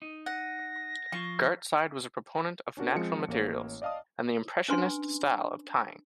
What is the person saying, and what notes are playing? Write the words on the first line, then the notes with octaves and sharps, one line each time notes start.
Gartside was a proponent of natural materials and the impressionist style of tying.
D#4
F#5 A#6
F3 F4 C#6
C#4 D4 F#4 A#4
F3 G#3 C4 C#7
A1 A#3 C#5
D5 D#5 F5 A5 D#6
C#4 D4 B4 G#5 C6